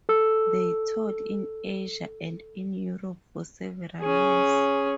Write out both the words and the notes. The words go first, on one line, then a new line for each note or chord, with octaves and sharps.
They toured in Asia and in Europe for several years.
A4 E6
C#4 G#4